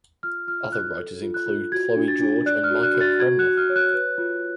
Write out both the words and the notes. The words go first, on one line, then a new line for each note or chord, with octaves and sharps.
Other writers include Chloe George and Micah Premnath.
F4 F6
F4 F6
F4 F#6
A4
F4
F#6
F4
F#4 G#6
D4
A6
D4
D5 F#6
F6
F#4
F#6
F#4
A6
F#4 G#6
F#6
F#4
F6
C#5
F#6
B4
F4